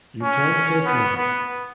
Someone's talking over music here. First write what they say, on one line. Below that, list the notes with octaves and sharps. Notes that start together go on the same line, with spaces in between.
You can't take me!
C#4
B3
B3